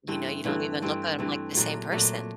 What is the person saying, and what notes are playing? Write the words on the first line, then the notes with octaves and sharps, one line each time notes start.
You know, you don't even look at 'em like the same person.
G2 E3 A3 C4
G2 E3 A3 C4
G2 E3 A3 C4
G2 E3 A3 C4
A#2 F#3 A3
A#2 F#3 A3